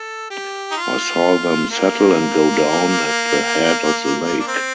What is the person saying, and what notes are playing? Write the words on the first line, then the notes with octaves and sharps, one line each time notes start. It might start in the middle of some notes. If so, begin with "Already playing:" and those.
I saw them settle and go down at the head of the lake.
Already playing: A4
G4
D#4
F4
A#3
D4
C4